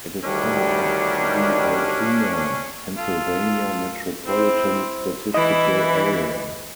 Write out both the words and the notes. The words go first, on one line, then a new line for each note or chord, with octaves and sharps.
It is part of the Altoona, Pennsylvania Metropolitan Statistical Area.
D2 D#3 G3 C#4 D4
F4 A4
C4 E4 C5
E3 E4 D#5